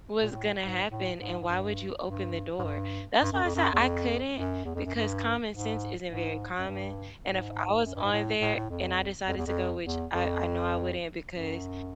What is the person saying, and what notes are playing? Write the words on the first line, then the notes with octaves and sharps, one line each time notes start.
Was gonna happen and why would you open the door. That's why I said I couldn't because common sense isn't very common, and if I was on there and I decided to go, which I I know I wouldn't because
A#2
A2
G#2
A2
G#2
G#2
G2
G2
G#2
G2
G2
F#2
F2
F#2
E2
F2
F#2
E2
F2
F#2
G2
G#2
G#2
F#2
G2
G#2
F#2
G2
G#2
A2
A2
A2
F2
F2
E2
F2
E2
F2
F#2